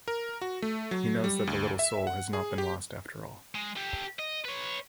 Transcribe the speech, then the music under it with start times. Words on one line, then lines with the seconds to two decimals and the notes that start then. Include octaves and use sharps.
He knows that the little soul has not been lost after all.
0.08 A#4
0.41 F#4
0.62 A3
0.91 F#3
1.24 G3
1.47 D2
1.79 E5
2.07 F#5
2.33 G#4
2.58 G4
3.55 G#3
3.77 G4 A4
4.19 D#5
4.44 B4 C#5